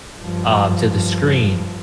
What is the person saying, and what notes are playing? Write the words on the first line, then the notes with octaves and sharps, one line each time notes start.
uh, to the screen,
G2 F3